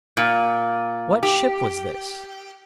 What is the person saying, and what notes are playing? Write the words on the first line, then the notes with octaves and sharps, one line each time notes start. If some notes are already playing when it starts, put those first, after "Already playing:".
What ship was this?
A#2
G4